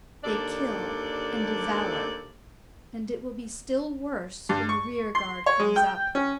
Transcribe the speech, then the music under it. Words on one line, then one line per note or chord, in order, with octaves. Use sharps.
They kill and devour--and it will be still worse when the rear-guard comes up.
D#2 D4 A4 D5
G2
C#6
C6
C#5
G#3
G5
C#4